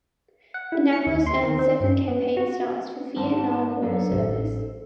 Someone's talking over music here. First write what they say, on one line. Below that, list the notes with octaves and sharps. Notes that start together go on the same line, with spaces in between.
"Annapolis" earned seven campaign stars for Vietnam War service.
F#5
E4
C#7
D#2
C6
D#3
C4
G2
B3
F#4
G#1 G#2 A5
F#2 D4 A4
A1 C5